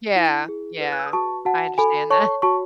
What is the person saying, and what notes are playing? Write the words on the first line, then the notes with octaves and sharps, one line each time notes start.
Yeah, yeah. I understand that.
E4
G#4
B4
F#6
E6
D#6
F#4 A5 C#6
F#4 F#5 A5
A4 G#5 B5
C#5 A5 C#6
F#4 A5 C#6